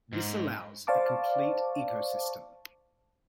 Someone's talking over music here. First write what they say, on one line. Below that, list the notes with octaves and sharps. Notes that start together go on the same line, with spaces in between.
This allows a complete ecosystem.
G#2
C5 D5 F5 A5 C#6 D6